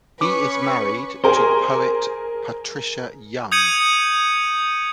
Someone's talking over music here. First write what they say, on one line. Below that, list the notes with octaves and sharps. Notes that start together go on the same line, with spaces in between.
He is married to poet Patricia Young.
C#4 B4 C#6 D6
G#4 A#4 C5 G#5
D#6 G6 G#6 C#7 D#7 F#7